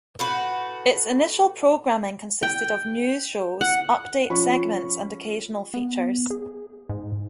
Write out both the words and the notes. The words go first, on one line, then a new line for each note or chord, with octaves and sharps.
Its initial programming consisted of news shows, update segments and occasional features.
A2 F#4 B4
G5
F#5
F3 C#4 B5 C#6
B3
G#4
G#2